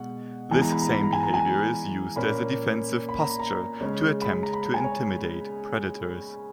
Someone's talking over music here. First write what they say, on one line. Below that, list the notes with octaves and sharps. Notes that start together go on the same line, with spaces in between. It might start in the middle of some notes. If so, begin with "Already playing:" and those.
This same behavior is used as a defensive posture to attempt to intimidate predators.
Already playing: B2 G#3 F#5
E3 G#3 B3 G#5
A#5
B5
A#5
B5
A#5
G#5
A#5
G#5
A#2 A#3 C#4 B5
B5
A#5
B5
A#5
C#3 G#3 C#4
B5
B5
A#5
B5
A#5
G#5
C#5